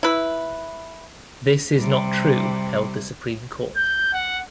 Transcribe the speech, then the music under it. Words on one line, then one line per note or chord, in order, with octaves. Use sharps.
This is not true, held the Supreme Court.
E4 B4
C3 G3
G6
F#5